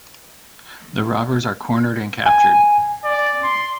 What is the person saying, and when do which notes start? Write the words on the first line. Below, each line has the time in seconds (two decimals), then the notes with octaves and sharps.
The robbers are cornered and captured.
2.26 G#5
3.04 D5
3.43 C6